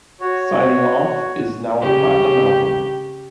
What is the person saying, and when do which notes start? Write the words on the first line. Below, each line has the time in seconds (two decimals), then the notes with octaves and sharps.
"Signing Off" is now a Platinum album.
0.20 F#4 C#5
1.81 C#3 G4